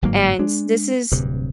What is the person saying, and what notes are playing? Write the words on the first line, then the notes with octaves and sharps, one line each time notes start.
And this is
G1 G#2 F#3 A#3
G#3 D4
D1 G2 C3